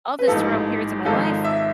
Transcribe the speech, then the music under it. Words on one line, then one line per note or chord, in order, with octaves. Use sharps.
of this throughout periods of my life
B4
A1 G#2 F3 A4
G#1 G#2 F3 A4
E5